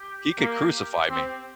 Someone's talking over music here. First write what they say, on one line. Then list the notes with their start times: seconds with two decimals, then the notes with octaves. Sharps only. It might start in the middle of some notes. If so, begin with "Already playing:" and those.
he could crucify me.
Already playing: G4
0.40 A#3
1.10 C4